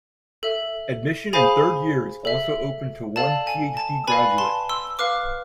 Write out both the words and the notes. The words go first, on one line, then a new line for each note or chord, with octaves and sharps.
Admission in third year is also open to one Ph.D graduate.
A4 E5
G#4 C5 F5 G#5 B5
A4 E5
A4 D5 F5 A5
G#5
A5
B4 D5 F5 G#5 B5
A5 C6
C6 E6
B4 F5 D6 F6